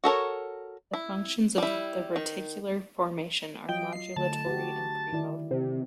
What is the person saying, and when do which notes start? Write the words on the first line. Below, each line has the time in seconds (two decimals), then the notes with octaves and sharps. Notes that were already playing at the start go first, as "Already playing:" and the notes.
The functions of the reticular formation are modulatory and premotor.
0.04 F#4 A4 A#4 C#5
0.93 E4
1.58 G3 E4
2.16 D#3
3.68 F#3 F4 D#5 G5
3.93 C7
4.16 D3 A3 A5
4.46 F#4 G4
5.12 D#3 E4 D5
5.51 C3